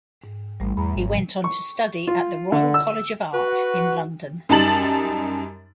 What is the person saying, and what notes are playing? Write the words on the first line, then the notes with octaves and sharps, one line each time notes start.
He went on to study at the Royal College of Art in London.
G#2
A1 G3 A3
E2 A#5 B5
G#1
F#2 B2 F3
C#6
F4
D3
E6
F#4 B4
F#2 G3 D#4 A5 A6 F#7